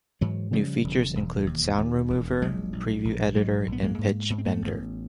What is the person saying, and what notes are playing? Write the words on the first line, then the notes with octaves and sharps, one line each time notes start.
New features include sound remover, preview editor and pitch bender.
G#2 E3 F#3
C#3 F3 G3
E1
E1
D#2
D#2
E1
A#1 F#3 G#3
A#1
A#1
G#2 F#3 G#3
A#1
B3
G#3 A#3
G#2
G#2 B3
C4
A3 B3
A1